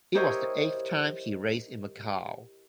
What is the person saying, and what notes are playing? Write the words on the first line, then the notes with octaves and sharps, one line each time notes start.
It was the eighth time he raced in Macau.
E4 G4 A#4 C5 C#5 D#5